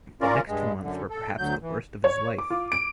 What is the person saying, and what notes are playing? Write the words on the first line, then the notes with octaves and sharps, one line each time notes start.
The next two months were perhaps the worst of his life.
C#4 F4 A#4 D5
G2 G#3
F#2 D3
A4
D2 F#3 G6
E3
C#5
D6
F4
D7